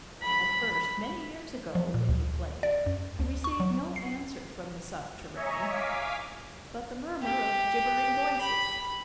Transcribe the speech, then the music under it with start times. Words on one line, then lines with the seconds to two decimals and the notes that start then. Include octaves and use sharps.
At first, many years ago, when he played, he received no answer from the subterrane, but the murmur of gibbering voices.
0.23 B5
1.75 F3
1.94 A#2
2.09 D2
2.63 D5
2.86 F#2
3.19 D2
3.44 C#6
3.60 F#3
3.96 C7
5.35 C#5 D#5 E5 G#5 A#5 C#6
5.69 F5 G#5 D6 B6
7.22 G4
8.41 B5